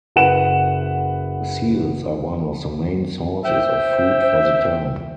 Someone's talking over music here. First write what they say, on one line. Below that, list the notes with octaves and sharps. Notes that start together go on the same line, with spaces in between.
Seals are one of the main sources of food for the town.
F#1 B4 F#5 E7
C5 E5 G5